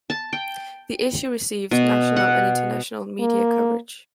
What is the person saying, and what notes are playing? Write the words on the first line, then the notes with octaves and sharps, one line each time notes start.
The issue received national and international media coverage.
A5
G5
B2
F#5
A#3